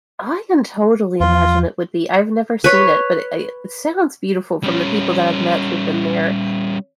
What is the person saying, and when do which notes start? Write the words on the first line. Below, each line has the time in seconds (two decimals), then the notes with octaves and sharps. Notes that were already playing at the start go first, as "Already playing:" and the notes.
I can totally imagine it would be. I've never seen it, but i it sounds beautiful from the people that I've met who've been there.
1.20 E2 F3 F4
2.64 B4 C#5
4.63 G3 C#4